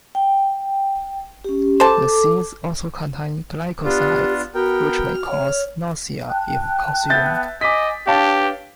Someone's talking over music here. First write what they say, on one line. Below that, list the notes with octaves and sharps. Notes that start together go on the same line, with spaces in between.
The seeds also contain glycosides, which may cause nausea if consumed.
G5
C#4 G4
A4 C5 A5 D6
B3 D4 F4 G4
B3 F#4 A#4 G5
F6
C#5
G5 A5 F#6
B3 E5 G6 A6
D#5 G#5 D6 B6
D4 G4 B4 C#5 F5 A5